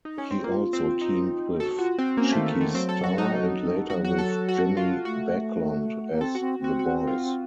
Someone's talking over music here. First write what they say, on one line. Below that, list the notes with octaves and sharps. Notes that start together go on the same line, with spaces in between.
He also teamed with Chicky Starr and later with Jimmy Backlund as "The Boys".
D#4
C#4
C4
A#3 F4
C4
D#4
F#4 A4
F4 F#4
C4
A#3 C#4
A3
D#3
A3
D#3
A3
F#3 C4
A4
F#4
D#4
F#3 F#4
F#4
A4
A4
F#4
F4
A3 F#4
A#3
C4 A4
F#4
C4
C4 F#4
F#4
F4